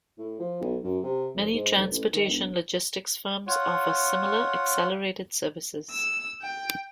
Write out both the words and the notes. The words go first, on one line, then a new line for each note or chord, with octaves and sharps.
Many transportation logistics firms offer similar accelerated services.
A2
F3
B1
F#2
C3
F1
G#2
F1
A1
D#3
E1
F4 C#5 F#5
E6
G5